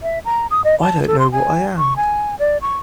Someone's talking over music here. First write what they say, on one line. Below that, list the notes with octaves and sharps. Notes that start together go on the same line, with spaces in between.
I don't know what I am.
E5
A#5
D#6
D#5
A5
A4
C6
G#5
C#6
G#5
D5
C#6